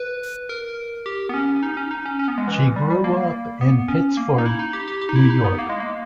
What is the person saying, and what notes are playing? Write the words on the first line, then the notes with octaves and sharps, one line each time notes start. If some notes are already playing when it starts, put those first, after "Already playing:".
She grew up in Pittsford, New York.
Already playing: B4
A#4
G4
B3
C#4
D#4
C#4
D#4
C#4
C#4
B3
G#3
E3
G3
G3
A#3
B3
C#4
A#3
D#4
E4
D#4
G4
G4
G4
D#4
E4
D#4
B3
A#3
G#3
A#3